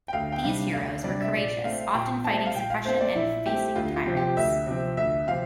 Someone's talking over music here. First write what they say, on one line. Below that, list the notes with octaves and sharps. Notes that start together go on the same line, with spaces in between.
These heroes were courageous, often fighting suppression and facing tyrants.
G5
D2 F5
G5
C3 G3 D4 F5
D2 F5
C3 G3 D4 D5
E5
A#2 D5
A3 C4 F5
A#2 G5
A3 C4 A5
F5
A#2 G5
F5
A3 C4 C5
D5
A#2 E4
A3 C4 G4
D2 F4
F4
C3 F3 C4
G4
D2 E5
C3 F3 C4
D2 E5
C3 F3 C4 F5